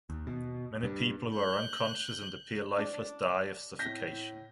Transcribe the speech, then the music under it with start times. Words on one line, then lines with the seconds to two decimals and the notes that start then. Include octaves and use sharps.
Many people who are unconscious and appear lifeless die of suffocation.
0.10 D#2
0.27 B2
0.83 G2
1.36 F#6 G6
2.78 D4
3.79 A2 G6 A#6 B6